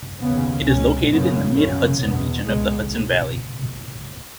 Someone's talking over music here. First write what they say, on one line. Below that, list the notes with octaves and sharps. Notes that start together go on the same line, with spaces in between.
It is located in the Mid-Hudson Region of the Hudson Valley.
D#2 C#3 B3
C#2 B2 C#4
F#2 C#3 B3
F#2 C#3 C#4
E2 B2 B3
C#2 B2 G#3